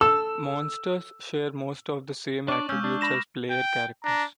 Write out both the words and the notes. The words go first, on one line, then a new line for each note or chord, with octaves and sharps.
Monsters share most of the same attributes as player characters.
A4 E6
D4 C#5 D5 A5 C#6 D6
G#3 C#4 C#6 E6 F6 G6
D4
B5 A#6 E7
G5
D4 A#5